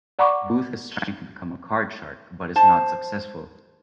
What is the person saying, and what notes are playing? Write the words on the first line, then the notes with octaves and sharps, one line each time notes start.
Booth is trying to become a "card shark", but is not successful.
D5 F#5 A#5 B5 C#6 D6
C5 A5